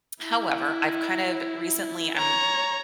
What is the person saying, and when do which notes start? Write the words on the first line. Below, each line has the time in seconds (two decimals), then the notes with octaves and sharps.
however, I've, kind of, recently I'm
0.23 E4
2.17 C#5 A#5